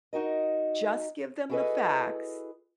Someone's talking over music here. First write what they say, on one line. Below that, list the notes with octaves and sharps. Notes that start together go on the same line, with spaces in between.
just give them the facts,
D#4 F#4 A#4 D#5
E4 F#4 G#4 A4 B4 D#5